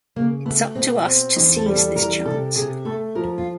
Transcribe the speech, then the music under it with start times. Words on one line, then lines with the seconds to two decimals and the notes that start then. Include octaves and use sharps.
It's up to us to seize this chance.
0.16 C#3 A#3
0.46 A3 B3
0.75 B2 C4
1.06 C4
1.36 E2 D#4
1.56 A4
1.66 G3
1.76 A4
1.96 E3 A#4
2.25 C3 A4
2.56 C3 G#4
2.85 A3 A4
3.15 F3 A#4
3.38 F4